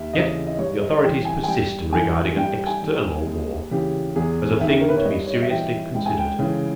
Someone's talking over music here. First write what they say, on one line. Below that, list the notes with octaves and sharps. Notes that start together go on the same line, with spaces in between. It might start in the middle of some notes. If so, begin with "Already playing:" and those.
Yet the authorities persist in regarding an external war as a thing to be seriously considered.
Already playing: D#2 E5
C#3 E3 D#5
D#5
G2 C#5
D#5
E3 G5
G#5
G#5
G2 G5
E3 G#5
G2 G5
G#5
D#3
D#2 G#4
C#3 E3 G4
E2 G#4
D#3 E5
A#4
B4
C#5
G2 D#5
C#5
D#5
E5
E3 G5
C#2 G5
G#5
G5
C#3 E3